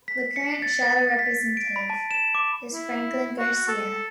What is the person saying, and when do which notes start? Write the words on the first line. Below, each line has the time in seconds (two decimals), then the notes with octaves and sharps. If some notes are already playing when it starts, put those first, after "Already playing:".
The current shadow representative is Franklin Garcia.
0.08 B6
0.36 C#7
0.62 A6
0.82 A6
1.19 B6
1.57 D7
1.76 B5
1.90 A5
2.11 E7
2.35 D6
2.72 E4
3.38 F#4
3.68 A4